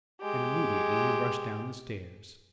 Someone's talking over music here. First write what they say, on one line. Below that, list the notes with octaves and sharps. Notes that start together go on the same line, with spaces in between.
And immediately he rushed down the stairs.
G#3 G4